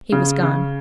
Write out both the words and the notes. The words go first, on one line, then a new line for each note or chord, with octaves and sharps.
He was gone.
C#3
C#3